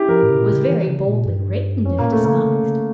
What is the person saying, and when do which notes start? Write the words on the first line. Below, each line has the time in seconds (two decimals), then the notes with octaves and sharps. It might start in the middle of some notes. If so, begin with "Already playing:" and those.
"It was very boldly written, if disguised."
Already playing: C#4 E4 G4
0.08 F3 A#4
0.23 A2
0.30 C#3
0.38 A#2
0.52 C#3
0.67 E3
0.87 C#3
1.07 A#2
1.26 G2
1.85 F2 C#4
1.99 A#2 A#3
2.05 A2
2.12 A3
2.18 A#2
2.25 C#3 A#3
2.45 C#3
2.64 C#3